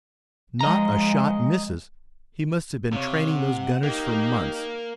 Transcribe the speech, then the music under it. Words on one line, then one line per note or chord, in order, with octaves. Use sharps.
Not a shot misses! He must have been training those gunners for months!
F3 G#3 D#5 A#5
C3 C#5 F5
F#5
A#3 D#4 G4